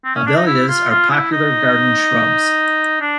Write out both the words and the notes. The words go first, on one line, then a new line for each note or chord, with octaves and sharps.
Abelias are popular garden shrubs.
C4
C#4
D4
D#4
E4
F4
F4
E4
D#4
D4